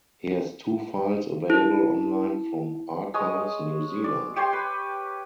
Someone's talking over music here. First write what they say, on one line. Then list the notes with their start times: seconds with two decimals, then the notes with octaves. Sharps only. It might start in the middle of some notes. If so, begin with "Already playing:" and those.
He has two files available online from Archives New Zealand.
1.50 E4
3.14 G#3 C#5 D#6
4.04 D5
4.36 G4 C#5 G5 C6
4.53 B4